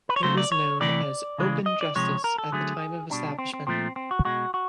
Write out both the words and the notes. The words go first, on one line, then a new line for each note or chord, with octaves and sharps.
It was known as Open Justice at the time of establishment.
B4
C#5
C#3 F#3 A3 C5
D5
C#5
C3 E3 A3 D5
C#3 E3 G#3
D#5
D5
C3 F3 G#3 C#5
A#4
A4
D3 F#3 A3 G#4
B2 G3 D4
C4
C4
A#2 F3 A3 C4
C4
F#4
B2 G#3 F#4
F#4